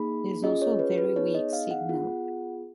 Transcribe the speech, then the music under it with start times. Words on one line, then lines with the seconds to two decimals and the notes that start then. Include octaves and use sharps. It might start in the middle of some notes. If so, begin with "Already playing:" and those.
It is also a very weak signal.
Already playing: A#3 D#4 G#4 B5
0.43 C#4 F4 G#4 D#5
0.62 C#5
0.79 B4
0.98 B4
1.16 B3 D#4 G#4 C#5
1.35 D#5
1.53 F5
1.71 F#5
1.89 B3 F4 G#4